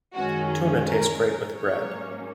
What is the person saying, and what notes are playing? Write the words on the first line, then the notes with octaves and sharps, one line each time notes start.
Tuna tastes great with bread.
F#2 D#3 G#3 C#4 F#4
G#4
A#4
G#2 F#3 A#3 C#4 C#5